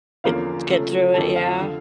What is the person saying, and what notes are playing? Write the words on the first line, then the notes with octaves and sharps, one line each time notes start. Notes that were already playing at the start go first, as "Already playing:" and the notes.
Eh, get through it, yeah.
E2 D3 F3 A#3 C#4 F5
C#3 F3 A3
F2 D3 F3 A3 A5
F5
D3 F3